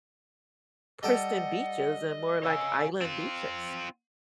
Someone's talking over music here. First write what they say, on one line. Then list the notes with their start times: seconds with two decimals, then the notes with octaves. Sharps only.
pristine beaches and more, like, island beaches."
1.03 G3 A4 D#5 F#5 G5
2.43 C#5 F5 G#5 E6
3.01 C4 F4